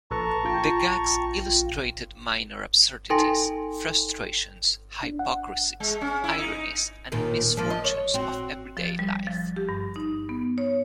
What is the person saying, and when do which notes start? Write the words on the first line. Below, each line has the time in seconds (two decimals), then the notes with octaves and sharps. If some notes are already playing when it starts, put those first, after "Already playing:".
The gags illustrated minor absurdities, frustrations, hypocrisies, ironies and misfortunes of everyday life.
0.11 A#1 A4 B4 A5 A#5 C#6
0.43 A#1 F4 G5
3.10 D#4 A4 G5 G#5 C6 A#6
5.03 D4
5.19 F#5
5.80 G#3
6.01 C#4
6.24 E4
6.39 D#4
7.12 D#2 A#2 D#3
7.57 F3 A#3
7.70 D#5
7.84 C#5
8.14 C4 F#4
8.77 F3
8.99 G3
9.27 F3
9.56 G4
9.69 G2
9.96 D#4
10.29 B3
10.58 C#5